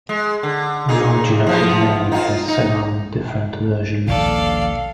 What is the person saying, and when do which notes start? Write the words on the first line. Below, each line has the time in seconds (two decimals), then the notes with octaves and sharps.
The origin of his name has several different versions.
0.09 G#3
0.43 D3
0.89 A#2 D#4 G#4
1.47 E3 F3 B3
2.12 D#4 F4
2.48 D#4
4.08 D#1 A#1 B2 A4 D5 F5